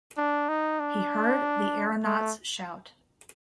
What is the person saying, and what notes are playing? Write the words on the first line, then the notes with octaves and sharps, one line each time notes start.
He heard the aeronauts shout.
D4
D#4
D4
A3